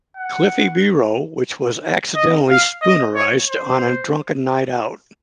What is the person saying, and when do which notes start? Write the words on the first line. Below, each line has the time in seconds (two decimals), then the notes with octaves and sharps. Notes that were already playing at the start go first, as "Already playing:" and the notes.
"Cliffy Biro", which was accidentally spoonerised on a drunken night out.
0.17 F#5
2.16 D#5
2.49 F5
2.82 D#5
3.15 C#5
3.48 C5